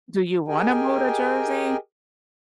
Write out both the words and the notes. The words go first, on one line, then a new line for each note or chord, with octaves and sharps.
Do you wanna move to Jersey?
G4 G#4 A#4 D#5 G5 G#5